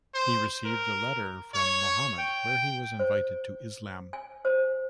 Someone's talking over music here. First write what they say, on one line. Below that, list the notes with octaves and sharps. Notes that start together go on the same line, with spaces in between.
He received a letter from Muhammad where he was invited to Islam.
C5
A#4
C#5
G5
C5
G#5
C5